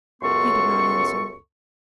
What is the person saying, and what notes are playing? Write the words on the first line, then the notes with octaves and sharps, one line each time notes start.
He did not answer.
C#2 F#2 B3 A4 C6 C#6